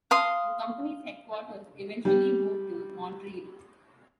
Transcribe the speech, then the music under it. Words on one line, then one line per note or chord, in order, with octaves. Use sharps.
The company's headquarters eventually moved to Montreal.
F5 C6 D#6
G3 G4